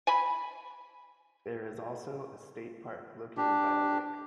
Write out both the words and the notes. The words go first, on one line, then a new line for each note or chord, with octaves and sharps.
There is also a state park located by the lake.
G#5 B5
D4 G4